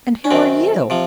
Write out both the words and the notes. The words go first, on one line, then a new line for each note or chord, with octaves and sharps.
"And who are you?"
C#4
F#2 D#3 F#3 C4
C3 F3